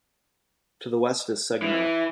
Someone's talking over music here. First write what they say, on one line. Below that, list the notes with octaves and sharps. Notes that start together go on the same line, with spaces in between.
To the west is Segner.
E3